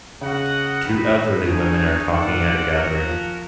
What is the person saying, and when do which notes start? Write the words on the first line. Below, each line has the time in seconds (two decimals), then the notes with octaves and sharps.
Two elderly woman are talking at a gathering.
0.21 C#3 F#4 A#4 D#5 F#5
0.85 D#3 D#4 F#4 B4
1.47 D3 D#4 G#4 C#5
2.10 D#3 F4 A4 D5 F#5
2.73 C#4 F#4 A#4
3.04 F3